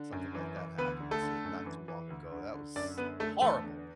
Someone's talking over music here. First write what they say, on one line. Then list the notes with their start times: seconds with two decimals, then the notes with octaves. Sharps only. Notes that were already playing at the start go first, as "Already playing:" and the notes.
Something like that happened, eh, not too long ago, that was horrible.
Already playing: D3
0.12 F#2
0.35 E3
0.57 E3
0.78 D2 B3 B4
1.00 D3
1.11 A3 A4
1.22 D3
1.45 F#2
1.66 E3
1.88 E3
2.10 D2
2.32 D3
2.54 D3
2.76 F#2 D4 D5
2.98 D3 B3 B4
3.20 D3 A3 A4
3.42 E2 A3 A4
3.64 D3